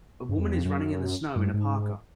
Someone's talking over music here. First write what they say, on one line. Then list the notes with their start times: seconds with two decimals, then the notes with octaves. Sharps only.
A woman is running in the snow in a parka.
0.29 G2
0.38 F2
0.47 E2
0.56 F2
0.65 F#2
1.36 G2
1.54 G#2